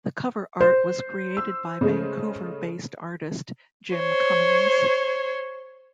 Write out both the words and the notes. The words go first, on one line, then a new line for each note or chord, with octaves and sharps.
The cover art was created by Vancouver based artist Jim Cummins.
C5
E6
C#3 G#3 A3
C5 C#5